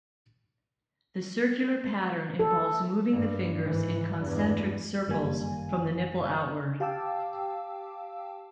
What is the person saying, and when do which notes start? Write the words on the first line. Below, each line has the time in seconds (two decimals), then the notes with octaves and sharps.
The circular pattern involves moving the fingers in concentric circles from the nipple outward.
2.39 A4
3.12 G2
3.61 G#2 E3
4.18 E2 G2
5.07 G1 F#2 D#3 G3 A#3 G#5
6.80 G4 F5 G5 A5 D6 E6